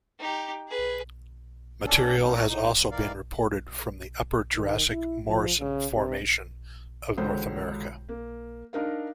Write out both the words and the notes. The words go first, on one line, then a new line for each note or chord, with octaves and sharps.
Material has also been reported from the Upper Jurassic Morrison Formation of North America.
D#4 G4
G#4 B4
A#2 A#3 C#4 D4 A4
F3 F#3 A#3 B3 C#4 D#4
A4 C#5 D5 A#5
G#2 D#4
F#3
A2 D#3 E3 A#4 D5 F5
D#3
E4
F3
C#3
C3
E1 C#2 D3 C5 G6
A#3
D4 D#4 A#4 F5